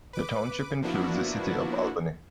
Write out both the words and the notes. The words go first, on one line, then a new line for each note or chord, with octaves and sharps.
The township includes the city of Albany.
B4 D6
F3 A#3 B3 D4 E4 F#4